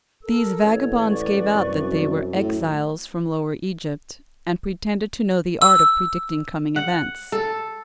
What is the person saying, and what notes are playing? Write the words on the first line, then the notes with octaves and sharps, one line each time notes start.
These vagabonds gave out that they were exiles from Lower Egypt, and pretended to know the art of predicting coming events.
A4 A#4 E6
A1 C#5
B4 D5 C#6
C2 F#2
A2
E6
F#5
A4